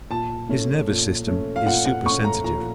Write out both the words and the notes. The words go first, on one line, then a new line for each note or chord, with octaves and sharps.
His nervous system is supersensitive.
A#2 A5
A3 C#4
A#2
A3 C#4
F5
A#2 F#5
F#5
A3 C#4 C#6
A#5
A#2 A#5